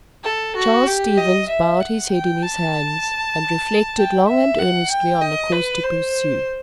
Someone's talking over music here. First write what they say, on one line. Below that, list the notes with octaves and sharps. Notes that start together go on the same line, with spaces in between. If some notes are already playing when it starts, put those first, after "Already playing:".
Charles Stevens bowed his head in his hands and reflected long and earnestly on the course to pursue.
A4
F#4
G4
D#5
E5
F#5
G5
A5
G5
E5
F#5
G5
D#5
B4
C5